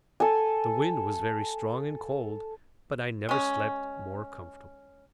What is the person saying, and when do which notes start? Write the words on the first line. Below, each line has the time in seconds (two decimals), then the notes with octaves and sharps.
The wind was very strong and cold, but I never slept more comfortably.
0.20 A4 G#5
3.29 G#3 C#4